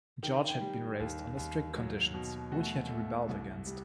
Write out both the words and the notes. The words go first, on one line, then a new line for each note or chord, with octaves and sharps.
George had been raised under strict conditions, which he had rebelled against.
D#3 G5
G5
G3
D#2
D#2
F#3
B2
A3 F#4
A3
C2
G3